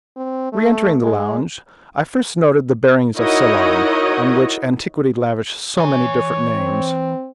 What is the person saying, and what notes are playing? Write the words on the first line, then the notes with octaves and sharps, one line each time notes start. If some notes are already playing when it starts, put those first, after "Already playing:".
Reentering the lounge, I first noted the bearings of Ceylon, on which antiquity lavished so many different names.
C4
A3
G#3
D#4 E4 F#4 A#4 C#5 D#5
E3 C#5 G#5
C4